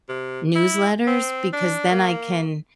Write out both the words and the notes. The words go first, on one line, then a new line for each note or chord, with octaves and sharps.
newsletters because then I can
C3
E4
C4
D4
A#3